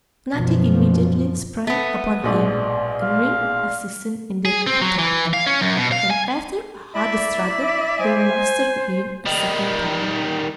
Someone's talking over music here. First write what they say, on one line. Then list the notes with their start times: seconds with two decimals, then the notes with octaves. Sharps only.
Snati immediately sprang upon him, and Ring assisted in the attack, and after a hard struggle they mastered him a second time.
0.34 F#2 B2 F3
1.67 A3 B3
2.24 A#1 G#2 B2 D5
3.01 F5
4.45 G#4
4.67 C4
4.82 F#3
4.99 E3
5.34 F5
5.46 C#4
5.62 F#2
5.76 B2
5.92 F5
6.10 G#5
6.95 E4 D5 E5
8.00 C5 G#5
9.26 D#3 G3